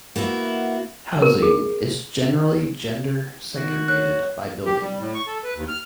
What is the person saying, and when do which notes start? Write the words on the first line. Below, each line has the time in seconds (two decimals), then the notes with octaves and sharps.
Housing is generally gender-segregated by building.
0.16 A#3 B3 E4 F#4
1.22 A#4
1.42 G#4
3.56 D#3 F#4
3.88 C#5 F#6
4.66 G4
4.81 G3
5.00 A2
5.14 C#6
5.27 A4
5.44 B4
5.56 D#2
5.68 F6